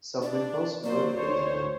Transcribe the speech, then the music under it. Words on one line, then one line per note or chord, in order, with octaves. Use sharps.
Some members were critical.
D4 D5
F#3 A#3 C5 D5
D2 C5 C#5